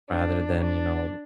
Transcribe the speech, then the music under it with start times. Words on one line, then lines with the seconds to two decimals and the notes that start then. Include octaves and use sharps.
rather than, you know,
0.09 D4
0.60 D4